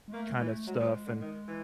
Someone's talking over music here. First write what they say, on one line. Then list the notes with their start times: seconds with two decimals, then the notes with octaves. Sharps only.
kinda stuff, and,
0.08 G#3
0.12 A3 A#3
0.31 G#3
0.39 E3
0.48 A3
0.66 F#3 G#3
0.79 F3
1.06 D3
1.21 D#3
1.48 E3